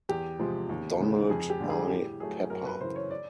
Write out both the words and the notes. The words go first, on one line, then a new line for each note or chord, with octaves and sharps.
Donald I. Pepper.
E2 G4
C3 F3 G#3
D#2
C#3 E3 G#3
F2 G#4
G4
D3 G3
G#4
A2 G4
F#3 A3 G#4
F#2 A#4
B4
C#3 E3 C5
C#5
D5